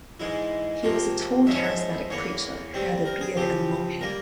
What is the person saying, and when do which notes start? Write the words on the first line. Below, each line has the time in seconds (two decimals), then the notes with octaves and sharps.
He was a tall, charismatic preacher who had a beard and long hair.
0.20 G#2 E3 G#3 E4
0.83 C3 F3 A#3 F4
1.46 G#2 F3 G#3 C#4 E5
1.56 C#5
1.64 E5
2.10 E2 E3 A#3 C#5
2.74 G2 G3 C4
3.06 A#4
3.21 G#4
3.37 C#3 F3 C4 G4
4.01 G3 A#3 A#4